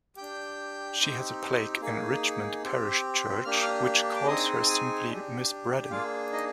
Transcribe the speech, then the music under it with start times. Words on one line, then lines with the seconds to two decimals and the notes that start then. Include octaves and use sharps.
She has a plaque in Richmond parish church which calls her simply 'Miss Braddon'.
0.17 D4 G4 G5 G6
0.99 C4 D#4 G4
1.80 A#3 D#4 G#4
2.63 C4 G4
3.44 A#3 D4 G4 F6
3.53 D#6
3.62 F5 F6
4.16 D6
4.27 C4 D#4 G#4 D#5 D#6
4.68 G#4 G#5
5.09 D4 G4
5.91 A#3 D4 F4 G#4 F5
6.33 D#4 D#5